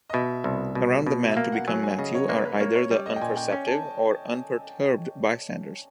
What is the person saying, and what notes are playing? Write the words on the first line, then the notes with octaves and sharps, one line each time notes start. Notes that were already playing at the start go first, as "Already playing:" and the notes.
Around the man to become Matthew are either the unperceptive or unperturbed bystanders.
D#5
B2 E5
C2
B2
B2
E5
A#3 F5
F#5
F#3 G#5
G#5
C#3 D#5
C#5
A#3 B4
B4
A#3 C#5
C#5
G3 D5
D#5
G5
A#2 G#5
G5
C#4 G#5
A5